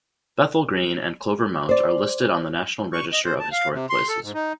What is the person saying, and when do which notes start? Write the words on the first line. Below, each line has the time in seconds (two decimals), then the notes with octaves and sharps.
Bethel Green and Clover Mount are listed on the National Register of Historic Places.
1.69 C5 D5
2.93 C#6
3.13 D#5
3.25 C5
3.39 A5
3.52 F5
3.73 C3
3.90 C6
4.08 A4
4.23 G#2
4.34 D#4